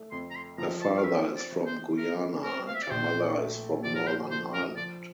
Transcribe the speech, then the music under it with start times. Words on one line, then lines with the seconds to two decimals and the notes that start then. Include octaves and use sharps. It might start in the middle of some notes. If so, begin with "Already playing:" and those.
Her father is from Guyana and her mother is from Northern Ireland.
Already playing: A3
0.12 F2 C6
0.31 A#5
0.35 C6
0.58 F3 A#5
0.81 A5
0.97 F5
1.04 C4 E5
1.36 D5
1.52 E3
1.66 C5
1.97 A3 A#4
2.44 C4 A#4
2.68 F5
2.75 E5
2.82 D5
2.90 A#1 C5
3.37 A3
3.84 F3 D5
3.95 A#4
4.07 C5
4.31 F3 C5
4.54 A#4
4.77 F3 D5